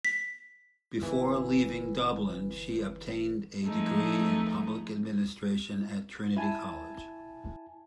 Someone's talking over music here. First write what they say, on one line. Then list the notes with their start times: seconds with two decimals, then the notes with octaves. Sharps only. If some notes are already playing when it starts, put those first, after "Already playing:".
Before leaving Dublin she obtained a degree in public administration at Trinity College.
0.05 B6
1.01 G1 E3
3.64 F3 A3 D#4 G#4
6.37 E4 G#5 A5